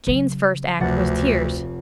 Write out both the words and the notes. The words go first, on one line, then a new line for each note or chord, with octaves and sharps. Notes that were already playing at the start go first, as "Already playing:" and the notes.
Jane's first act was tears.
C#3 F#3
F1 D2 F#5 A6